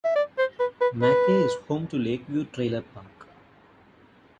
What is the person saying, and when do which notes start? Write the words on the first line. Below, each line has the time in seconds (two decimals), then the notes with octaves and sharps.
Mackey is home to Lakeview Trailer Park.
0.04 E5
0.15 D5
0.38 C5
0.59 B4
0.81 B4
1.02 B4